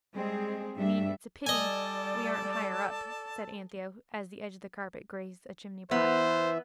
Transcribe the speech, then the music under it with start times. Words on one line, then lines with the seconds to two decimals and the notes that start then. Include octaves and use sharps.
I mean it's a PITY we aren't higher up,' said Anthea, as the edge of the carpet grazed a chimney-pot.
0.14 G3 G#3 C4 G#4
0.76 G2 G3 D4 E5
1.47 G3 A4 D5 D#5 G#5 A5
5.91 E3 B3 C5 E5